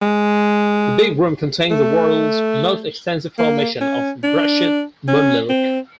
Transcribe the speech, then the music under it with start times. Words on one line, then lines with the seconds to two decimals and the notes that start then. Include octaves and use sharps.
The Big Room contains the world's most extensive formation of brushite moonmilk.
0.02 G#3
1.70 A3
3.38 A#3
3.81 C#4
4.23 D4
5.08 C#4
5.49 C4